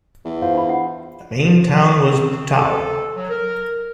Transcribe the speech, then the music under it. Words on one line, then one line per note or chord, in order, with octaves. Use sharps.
The main town was Putao.
E2
F4 C5 F5
D4 B5
F#5
C4
A4
F#3
A#4